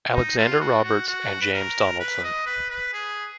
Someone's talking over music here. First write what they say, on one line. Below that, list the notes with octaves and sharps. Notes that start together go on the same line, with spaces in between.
Alexander Roberts and James Donaldson.
D#4
F4
F#4
F#4
F#4
B4
A#4
B4
D#5
B4
B4
G#4